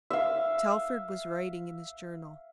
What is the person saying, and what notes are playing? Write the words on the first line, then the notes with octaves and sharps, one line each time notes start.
Telford was writing in his journal.
E5 F5